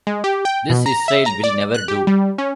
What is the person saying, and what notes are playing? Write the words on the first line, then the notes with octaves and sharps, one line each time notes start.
This Israel will never do.
G#3
G4
G5
B2
A#5
E5
A#5
D5
F#6
G4
G3
C#4